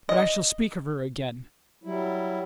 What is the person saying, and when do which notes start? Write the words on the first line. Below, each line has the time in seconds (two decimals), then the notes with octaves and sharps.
But I shall speak of her again.
0.09 D#5
1.84 F#3 G3 E4